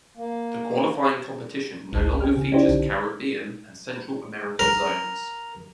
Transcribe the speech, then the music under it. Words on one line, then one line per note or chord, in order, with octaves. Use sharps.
The qualifying competition no longer features Caribbean and Central American zones.
A#3
G#1 C#2 G#2 A5
C4 C#4 G4 F6
C#3
C#4 D#4 E4 G4 C5 D5
B1 D3
A#4